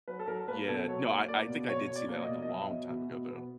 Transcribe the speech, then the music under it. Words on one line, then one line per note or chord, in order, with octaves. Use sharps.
Yeah. No, I I think I did see that, like, a long time ago, though.
F#3 B4
A4
F#3 A#4
A#3 B4
B2 A4
F#3 C#5
A#3
A#3 D5
B2
B2 C#5
B2
D5
A#3
D#5
B2
D#5
F#3 E5
B2
B2
B2
B3